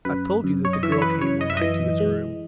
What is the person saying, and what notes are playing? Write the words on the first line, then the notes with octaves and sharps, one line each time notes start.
I have told you that the girl came one night to his room.
F#2 B4
F#2
C#5
D#5
E3 E5
C#5
B4
F#2 C#5
D#5
E5
E3 D#5
G#3